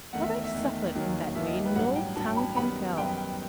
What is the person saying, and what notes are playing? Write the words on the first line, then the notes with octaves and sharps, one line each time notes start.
What I suffer in that way no tongue can tell.
E2 D#3 A3 F#5
E5
E5
E2 D#3 A3
D#2 D#3 F#3
D#2 D#3 F#3 E5
D#5
G4
B4
A1 G2 F#3 F#5
G5
A1 G2 F#3 A5
B5
F#2 D#3 G3 B3 B5
F#2 D#3 G3 B3 G5
G5